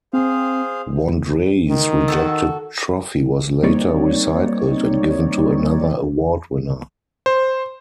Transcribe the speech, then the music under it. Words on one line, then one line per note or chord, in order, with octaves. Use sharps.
Wandrei's rejected trophy was later recycled and given to another award winner.
C4 G#4 C5 F5
D#3
F#4 G4 A4
G3 A#3 C4 D#4 C#5 D5
C5